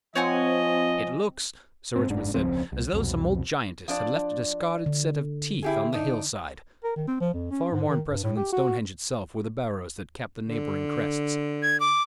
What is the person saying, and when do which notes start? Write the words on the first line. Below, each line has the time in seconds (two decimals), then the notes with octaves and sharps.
"It looks," Sir Richmond said, "as though some old giantess had left a discarded set of teeth on the hillside." Far more impressive than Stonehenge itself were the barrows that capped the neighbouring crests.
0.16 F3 C4 C#5 D#5 F#5 G#5
1.96 G#2 C4
2.09 F#1 G#2 D4
2.34 E1 C#2 F3 C4
2.72 C2
2.93 C2 F2 B2
3.88 F3 D4 D5
4.86 D3
5.63 E4 G4 G#4
5.92 D4 D#4
6.84 A#4
6.96 D#3
7.08 C4
7.21 F3
7.34 F2
7.51 C#4
7.72 G#2
7.89 D#3
8.09 G2
8.24 A2
8.37 G4
8.53 F#4
10.46 D3
11.63 G#6
11.80 D6